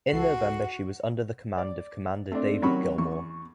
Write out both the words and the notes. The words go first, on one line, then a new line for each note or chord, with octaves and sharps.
In November she was under the command of Commander David Gilmour.
C#2 F#4 A4 C7
D5
A3 C4 D4
C3 D#3 F#3 C#4 B5 C#6
E2 C#6